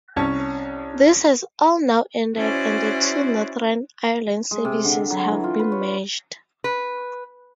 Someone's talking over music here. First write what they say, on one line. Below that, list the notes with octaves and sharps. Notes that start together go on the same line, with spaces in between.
This has all now ended and the two Northern Ireland services have been merged.
C2 C#4 C#5 A5
C#4 E4 F#4 C5 D5
G#3
C3
D3
F#3
E3
F4
B4
C#5
B4